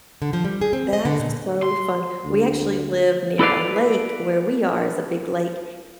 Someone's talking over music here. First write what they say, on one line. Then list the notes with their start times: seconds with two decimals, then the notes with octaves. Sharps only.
That is so fun, we actually live near a lake where we are is a big lake,
0.22 D3
0.33 F3
0.44 G3
0.61 G#4
0.73 C4
0.93 D#5
1.05 D3
1.20 A#2
1.63 C6
2.25 D2
3.40 E4 A4 B4 D5 F5